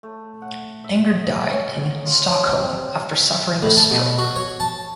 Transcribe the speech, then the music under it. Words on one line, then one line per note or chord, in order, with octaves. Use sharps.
Anger died in Stockholm after suffering a stroke.
A3
F#5
E5
D#5
C#4
F#3
F4
C#5
C3
A2
A5
B2
F#4
C#5
A5